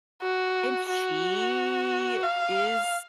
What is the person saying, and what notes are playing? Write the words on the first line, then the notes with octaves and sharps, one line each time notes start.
and she is
F#4
F#4
F5